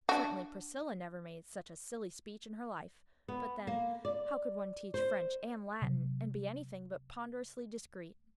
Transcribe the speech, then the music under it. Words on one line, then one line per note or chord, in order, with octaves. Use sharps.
Certainly Priscilla never made such a silly speech in her life; but then, how could one teach French and Latin, and be anything but ponderously discreet?
D4 F#4
B3
A#3
D5
C5
C3 F#3